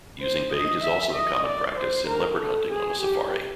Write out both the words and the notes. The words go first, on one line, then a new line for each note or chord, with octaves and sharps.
Using bait is also a common practice in leopard hunting on a safari.
C5
D#5
E5
D#5
D5
C5
A#4
A4
G#4
G4